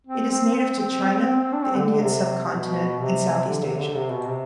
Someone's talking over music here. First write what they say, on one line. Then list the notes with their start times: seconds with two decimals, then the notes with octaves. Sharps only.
It is native to China, the Indian Subcontinent, and Southeast Asia.
0.07 C4
0.31 C4
0.55 C4
0.80 C4
1.04 C4
1.21 C4
1.36 C4
1.53 D4
1.64 C4
1.77 D3
1.89 D3
2.01 C3
2.50 B2
2.99 C3
3.48 D3
3.63 C3
3.80 D3
3.95 C3
4.12 B2
4.28 C3